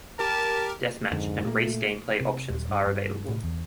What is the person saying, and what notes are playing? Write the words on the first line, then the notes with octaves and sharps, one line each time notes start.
Deathmatch and race gameplay options are available.
G4 A#4 A5
F2 G#2 D3
A#2 A3 A#3
C3
D#1
G2
G2
A2
E2